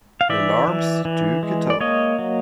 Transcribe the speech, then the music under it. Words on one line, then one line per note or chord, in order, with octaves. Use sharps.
"Les Larmes Du Couteau".
F5
E3 D5 E5
E3
E3
G#3
D5
A#3 C#5 D#5
F#3